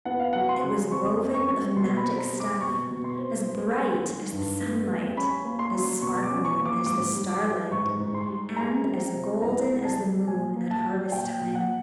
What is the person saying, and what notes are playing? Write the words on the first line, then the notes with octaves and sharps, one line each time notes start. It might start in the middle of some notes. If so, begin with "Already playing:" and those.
It was woven of magic stuff as bright as the sunlight, as sparkling as the starlight, and as golden as the moon at harvest time.
B3 F#5
F5
F#3 F#5
C6
C#3
F2 C#6
B3
C#6
F#3
B2 C6
B5
C4
A#5
G3
D6
B2 C#6
B2
C6
C4
B3
G3
D#3
G2
B3
G3
C#4 B5
A#3
C6
F#3
B2 C#6
D6
C#4
C#6
A#3
D6
G#2 D6
G3
D6
E3
G#2 C#6
G#2
C6
G3
G#3 A#5
F3
C3
C2 A#5
G#3
A5
F3
A#2 G#5
A#3
A5
F#3
A#2 G5
A#2
F#5